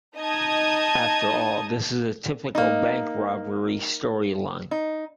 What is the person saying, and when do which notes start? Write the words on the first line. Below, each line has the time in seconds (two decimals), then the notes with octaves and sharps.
After all this is a typical bank robbery storyline.
0.16 D#4 D#5 A5 D#6 G#6
2.55 A#3 D#4
4.71 D#4